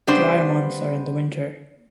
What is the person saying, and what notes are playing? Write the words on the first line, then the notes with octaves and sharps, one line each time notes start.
The drier months are in the winter.
C#3 G3 B3 D4 C5